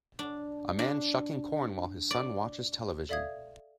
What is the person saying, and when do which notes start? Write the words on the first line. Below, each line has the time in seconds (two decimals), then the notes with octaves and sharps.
A man shucking corn while his son watches television.
0.19 D4
0.79 D4
2.11 D5
3.09 A4 D5 E5 F5 D#6 G#6